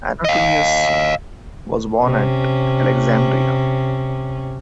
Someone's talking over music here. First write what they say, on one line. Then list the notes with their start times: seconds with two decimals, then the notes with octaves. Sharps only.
Anatolius was born at Alexandria.
0.25 D#5 F5
2.04 C3 C#4